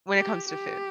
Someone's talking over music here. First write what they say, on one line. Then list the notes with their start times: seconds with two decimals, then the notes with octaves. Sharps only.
when it comes to food.
0.15 G4
0.49 G4